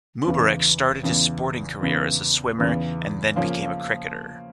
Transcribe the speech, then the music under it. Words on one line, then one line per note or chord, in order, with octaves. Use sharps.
Mubarak started his sporting career as a swimmer and then became a cricketer.
E2 C#3 E3
E2 C#3 E3
E2 C#3 E3
E2 C#3 E3
C#3 F3 A#3 C#4 F4